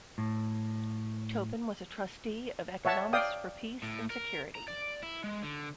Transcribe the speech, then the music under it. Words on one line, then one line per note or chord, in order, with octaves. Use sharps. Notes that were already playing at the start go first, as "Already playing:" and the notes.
Tobin was a trustee of Economists for Peace and Security.
A2
C#5 E5 F#5 A5
D5 F5 G5 D#6
A2
A#4
A#5
D5
E4
G#3
D3